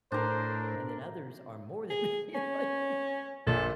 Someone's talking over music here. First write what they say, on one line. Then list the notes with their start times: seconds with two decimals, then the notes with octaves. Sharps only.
and then others are more than ready to leave,
0.12 A2 D4 A#4 C5
1.90 G#4
2.35 C#4
3.47 A#1 A#2 A4